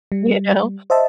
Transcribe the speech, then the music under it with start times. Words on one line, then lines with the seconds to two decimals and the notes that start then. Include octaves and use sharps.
You know?
0.12 G3
0.90 C5 D#5 E5 A5